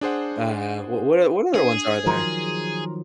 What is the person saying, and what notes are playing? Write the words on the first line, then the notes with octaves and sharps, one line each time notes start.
uh, w what o what other ones are there?
D4 G#4 C5 F#5
D4 G#4
D#3 F3 F#3 A#4 A#5 C6